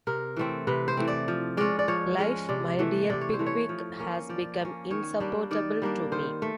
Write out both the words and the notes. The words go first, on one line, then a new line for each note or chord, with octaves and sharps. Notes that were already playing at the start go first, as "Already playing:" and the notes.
Life, my dear Pickwick, has become insupportable to me.
C3 A#4
E3 A3 C4
C3 B4
C5
E3 A3 C4
D5
F3
G#3 C#4 D5
D5
F3 C#5
G#3 C#4
C3 D5
E3 A3
C3 D5
C#5
C5
E3 A3
C#5
F3
A#3 C#4
F3 D5
A#3 C#4
D#3 C#5
G3 A#3 D4
D#3 D5
G3 A#3 D4
D#3 C5
A3